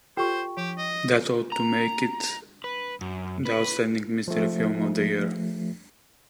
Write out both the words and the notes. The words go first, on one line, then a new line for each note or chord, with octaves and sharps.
That ought to make it the outstanding mystery film of the year.
F4 G4 A4 C5 G5 C#6
F3 G4
D#5
A#5
B4
F#2
B4
F3 A3